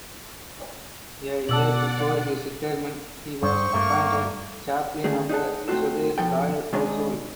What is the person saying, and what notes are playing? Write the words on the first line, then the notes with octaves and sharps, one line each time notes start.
A year before his retirement he was appointed Chaplain of the Swedish Royal Household.
B2 D5 F#5 A5 E6 F#7
G2 C5 C#6
G2 A3 A#3
D3 D#3 A3 G#4
D#4 G#4 D#5 F#5 A5
A3 C4 D#4 F4 F#4 A4
B2 F3 A4 G5
C3 D#3 G#3 D4 D#4